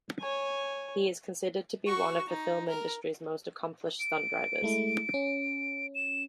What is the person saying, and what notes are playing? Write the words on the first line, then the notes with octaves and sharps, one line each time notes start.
He is considered to be one of the film industry's most accomplished stunt drivers.
C#5 G#5
F#4 C#6
D#4
A#4
D7
G#3 A3 E4
C#4
E7